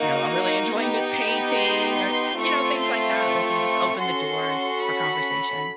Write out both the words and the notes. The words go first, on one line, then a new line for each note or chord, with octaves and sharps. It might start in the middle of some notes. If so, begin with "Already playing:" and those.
you know, "I'm really enjoying this painting" or, you know, things like that, like you just open the door for conversation.
Already playing: A#3 D#4 F#4
B3 D#4 G4
C6
A3 C4 F4 C#6
C6
C#6
C#4 F#4 A4 C6
B5